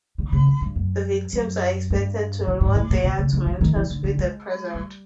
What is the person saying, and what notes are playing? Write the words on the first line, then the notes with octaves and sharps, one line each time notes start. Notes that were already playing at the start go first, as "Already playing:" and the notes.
The victims are expected to reward their tormentors with a present.
D3
C#3
G#2
G2
F#2
F#2
G2
A2
G#2
A2
A#2
B2
C#3
D3
D3
D#3
E3
D3
D3
G#3
G3